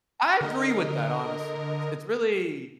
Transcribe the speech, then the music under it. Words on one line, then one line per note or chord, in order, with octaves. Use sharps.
I agree with that, honestly, it's it's really
D3 A#4 D#5